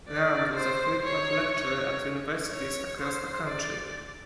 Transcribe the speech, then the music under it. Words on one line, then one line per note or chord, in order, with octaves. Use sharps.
Rand was a frequent lecturer at universities across the country.
D5
C5
C#5
C#5
C#5
C5
D5